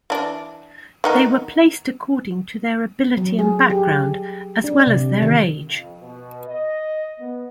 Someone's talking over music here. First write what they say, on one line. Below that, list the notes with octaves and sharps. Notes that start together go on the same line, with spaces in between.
They were placed according to their ability and background as well as their age.
E3 D4
D#3 B3 D#4
F#3
G#4
G4
D4
C3
D#3
F2
B2
D#5
B3